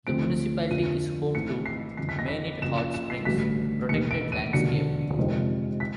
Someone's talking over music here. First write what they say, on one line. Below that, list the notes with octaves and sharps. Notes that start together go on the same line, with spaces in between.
The municipality is home to the Mainit Hot Springs Protected Landscape.
D2 D3 F3 A3 C4 D7
F2 D3 F3 A#3 D#7
G#1 G#2 E3 A3 C4 C#7
C7
G1 F2 C#3 C7
B6
A#6
B6
F#1 F#2 C#3 F3 E7
E7
E7
C7
A1 G2 D3 F#3 A3 B6
E1 D#2 D#3 C#7
D7
D#7
E1 D#2 D3 F#3 C#7
F2 C3 D#3 G#3 C4
B6